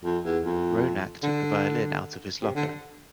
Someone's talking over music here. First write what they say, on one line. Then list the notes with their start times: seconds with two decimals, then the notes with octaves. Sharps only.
Ronak took the violin out of his locker.
0.05 F2
0.25 E2
0.45 F2
1.23 D3
2.42 C3
2.55 D3